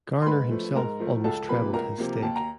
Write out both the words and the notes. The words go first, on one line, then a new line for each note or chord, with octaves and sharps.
Garner himself almost trebled his stake.
C6
G#2 B4 B5
F3 A3
G#2 A#4 A#5
F3 A3
C#2 A4 A5
C3 F3 A#3 B4 B5
C#2 A#4 A#5
C3 F3 A#3
D#2 A5
A#5